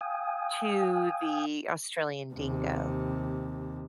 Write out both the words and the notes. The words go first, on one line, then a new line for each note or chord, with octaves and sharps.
to the Australian Dingo.
F5 G5 G#5 D#6
D#2 C3